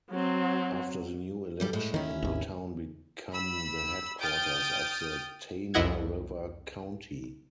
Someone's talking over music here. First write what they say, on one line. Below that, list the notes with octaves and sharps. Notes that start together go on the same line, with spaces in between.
After the new election, the town become the headquarters of the Tana River County.
F#3 C4
D2 G3 A4
A2 G#3
D#3 C#4 E4
G#1 D#2
B5 E6
G5 D#6 F6 G6 A6 D7
C2 F2 E4 D#5 F#5 G#6